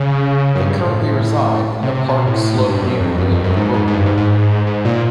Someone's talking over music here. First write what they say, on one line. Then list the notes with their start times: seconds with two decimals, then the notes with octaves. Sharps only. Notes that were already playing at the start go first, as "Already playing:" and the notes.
They currently reside in the Park Slope neighborhood of Brooklyn.
Already playing: C#3
0.55 F#2
0.60 G2
0.77 A2
1.83 C3
1.95 C3
2.08 B2
2.27 A2
2.44 A2
2.57 G#2
2.69 G2
2.82 F#2
3.00 F2
3.18 F#2
3.31 F2
3.44 F#2
3.56 G#2
3.74 G#2
3.88 G#2
3.93 G2
4.06 G#2
4.17 G#2
4.67 G#2
4.85 A#2